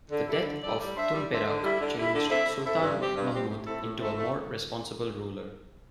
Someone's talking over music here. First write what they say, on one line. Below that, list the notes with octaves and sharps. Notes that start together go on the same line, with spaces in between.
The death of Tun Perak changed Sultan Mahmud into a more responsible ruler.
D3
G3 E4 A4 D5
D3
G3 E4 A4 D5
G3
D4 C5 E5
G3
D4 C5 E5
D3
G3 E4
D3
G3 E4
D3
C4 E4 A4 E5
D3
C4 E4 A4 E5
G2
G3 C4 G4
G2
G3 C4 G4
A2
A3 C4 E4 A4
A2
A3 C4 E4 A4
A3